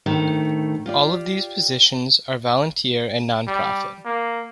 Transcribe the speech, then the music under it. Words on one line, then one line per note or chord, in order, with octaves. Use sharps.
All of these positions are volunteer and nonprofit.
D2 A2 D#3 A3
F4 G4 D5
G3
A#3